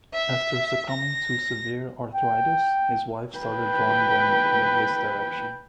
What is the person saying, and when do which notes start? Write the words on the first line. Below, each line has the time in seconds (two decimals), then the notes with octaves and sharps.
After succumbing to severe arthritis, his wife started drawing them under his direction.
0.13 E5
0.89 A#6
2.15 G5
3.38 B4 G5